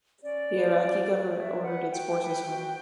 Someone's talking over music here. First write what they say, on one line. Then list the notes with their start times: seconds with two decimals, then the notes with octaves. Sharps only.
The Iraqi government ordered its forces home.
0.23 C#4 D5
0.52 F#4 B4
0.79 C#4
1.07 F#4 B4
1.35 F#4 E5
1.62 B4 F#5
1.90 F#4 G5
2.19 B4
2.47 F#4